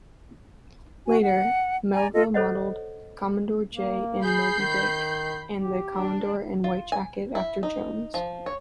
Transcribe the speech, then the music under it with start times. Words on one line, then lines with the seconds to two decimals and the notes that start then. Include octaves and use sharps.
Later, Melville modeled "Commodore J-" in "Moby-Dick", and the commodore in "White-Jacket" after Jones.
1.07 F#4 G#5
1.22 F#5
1.94 D5 G#5 A#5
2.12 F4 A4 D#5
2.34 A4 C5 C#5 D#5 F#5
3.73 A#3
4.24 G#4 B5 G6 C7
4.59 D#3
5.58 G4
5.94 D4
6.64 F4
6.92 G#5
7.35 E4
7.63 D#4
8.14 F3
8.46 C#5